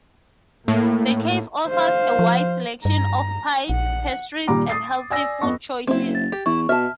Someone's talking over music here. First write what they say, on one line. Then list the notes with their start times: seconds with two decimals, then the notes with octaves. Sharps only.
The cafe offers a wide selection of pies, pastries and healthy food choices.
0.68 A2 A#3
1.69 C5 F5
2.19 F3
2.85 G2 A#5
3.70 A#1 F#5
4.47 D#2 A#2 G3 A#5 D6
4.70 D#6 A6 C7
5.10 D5 G#5 E6 A#6
5.42 F2 B3 D#5 C#6
5.87 F#1 C4 E4
6.15 A6
6.32 G4
6.46 E2 E4 C#6
6.69 B2 E5 A5 F6